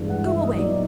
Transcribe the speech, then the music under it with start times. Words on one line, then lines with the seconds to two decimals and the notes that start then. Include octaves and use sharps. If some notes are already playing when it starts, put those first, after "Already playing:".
Go away!
Already playing: G2 E3 G#3
0.09 F#5
0.26 E5
0.41 D#5
0.57 A#2 F#3 B3 D#4 D5